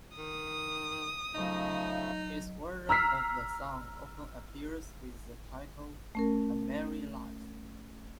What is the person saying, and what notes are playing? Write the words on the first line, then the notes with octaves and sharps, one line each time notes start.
His version of the song often appears with the title "A Merry Life".
D#3 D#6
C#3 F3 F#3 A3 D#4 D#5
A#5 E6 F6 B6 C7
A3 C#4 A#4